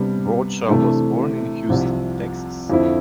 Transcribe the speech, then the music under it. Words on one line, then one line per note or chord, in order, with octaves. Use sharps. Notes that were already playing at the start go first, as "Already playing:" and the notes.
Bradshaw was born in Houston, Texas.
Already playing: C3 G3 B3 D4
C3 E3 A3 D4
C2 C3 F3
F2 D3 F3 C4 E4